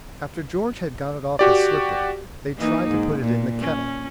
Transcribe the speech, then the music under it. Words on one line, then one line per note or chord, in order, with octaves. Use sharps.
After George had got it off his slipper, they tried to put it in the kettle.
F#4 G4 D5
E3 A#3 D#4
G#2
A#2
C#4